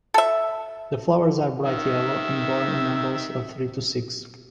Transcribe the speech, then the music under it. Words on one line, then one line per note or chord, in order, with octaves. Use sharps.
The flowers are bright yellow and borne in umbels of three to six.
A4 E5
D#3 E5